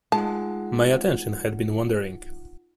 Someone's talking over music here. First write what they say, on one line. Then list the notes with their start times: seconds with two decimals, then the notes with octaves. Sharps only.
My attention had been wandering.
0.12 G#3 D#4 F4 F#5 A5